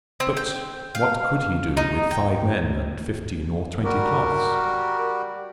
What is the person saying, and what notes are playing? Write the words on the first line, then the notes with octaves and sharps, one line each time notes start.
But what could he do, with five men and fifteen or twenty cloths?
C4
G5
F5
D#4
G5
G3 F#4 G4 A#4